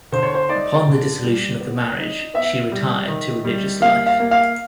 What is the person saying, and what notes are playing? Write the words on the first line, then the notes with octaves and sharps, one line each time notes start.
Upon the dissolution of the marriage, she retired to religious life.
D3 C5
C#5
C5
D#4 D5
D3
G3
B3
D#4
B3 E5
G3
D#3
G3
A#3 F5
F5
A#3
F5